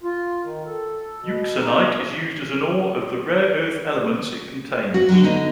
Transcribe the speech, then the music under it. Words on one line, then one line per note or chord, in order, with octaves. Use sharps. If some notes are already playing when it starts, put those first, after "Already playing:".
Euxenite is used as an ore of the rare earth elements it contains.
F4
D#3
A4
B2
D#4
F#4
D3 F#3
D3 B3 D#4